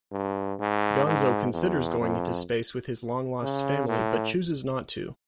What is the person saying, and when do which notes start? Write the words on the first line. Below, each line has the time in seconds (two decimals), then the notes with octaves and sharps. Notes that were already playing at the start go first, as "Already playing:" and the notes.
Gonzo considers going into space with his long-lost family but chooses not to.
0.12 G2
0.60 G#2
1.06 G#2
1.54 E2
2.00 F2
3.42 C#3
3.89 A2